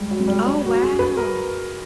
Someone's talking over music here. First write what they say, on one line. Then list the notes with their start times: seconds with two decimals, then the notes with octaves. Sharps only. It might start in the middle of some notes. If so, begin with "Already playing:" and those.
Oh, wow!
Already playing: G3 G#3
0.11 F#3
0.20 G#3
0.28 G3
0.46 C#4
0.64 F#4
0.82 G#4
0.99 B4
1.17 A#4